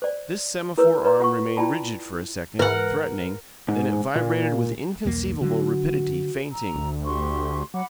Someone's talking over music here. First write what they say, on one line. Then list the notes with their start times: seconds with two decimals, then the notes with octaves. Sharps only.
This semaphore arm remained rigid for a second, threatening; then it vibrated with inconceivable rapidity, feinting.
0.02 C5 D5
0.78 E4 A#4 B4 C#5 E6
1.04 B4 C#5 A#5
1.20 F4 F#5 C#6
1.57 E4 F4 D5 G5 A5 B5
2.59 G#2 E3 A#4 B4 F#5
3.68 G#2
4.15 A#2
5.05 B1 E2 A#3
5.41 D3 F#3 F#4
6.51 A#5 E6
6.75 D2
7.05 G4 C6 C#6
7.74 F#3 F#5 B5 D6